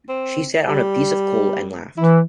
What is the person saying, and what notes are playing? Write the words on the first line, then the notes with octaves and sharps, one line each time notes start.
She sat on a piece of coal and laughed.
C4
G3
E3 E4